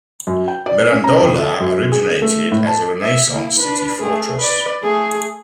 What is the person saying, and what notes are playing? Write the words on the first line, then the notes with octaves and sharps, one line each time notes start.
Mirandola originated as a Renaissance city-fortress.
F#2
G5
D5
C#4
A#5
F2
A4
F#2
G#4
A3
A2
A5
E5
A#3 E4
D4 B4
A3 G#4
B4 D5
A3 G#4